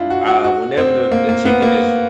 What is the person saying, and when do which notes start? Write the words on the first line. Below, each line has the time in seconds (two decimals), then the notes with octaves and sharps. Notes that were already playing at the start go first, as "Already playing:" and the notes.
uh, whenever the the chicken is
Already playing: D4 E4 F4
0.10 F#4
0.27 F#4
0.44 F#4
0.77 C4
1.12 A#3
1.29 A#3
1.45 B3
1.62 A#3